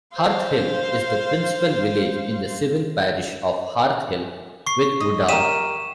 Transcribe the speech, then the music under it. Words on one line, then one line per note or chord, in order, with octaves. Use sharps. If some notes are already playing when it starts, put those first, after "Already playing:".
Harthill is the principal village in the civil parish of Harthill with Woodall.
C5 F5
C#6 C7
D#5
G4 A#4 D#7 E7